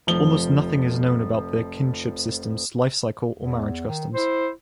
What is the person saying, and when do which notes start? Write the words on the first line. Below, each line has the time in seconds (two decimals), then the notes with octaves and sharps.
Almost nothing is known about their kinship systems, life cycle, or marriage customs.
0.07 F1 F3 G7
3.36 E2
3.88 D#3
4.14 E4 C5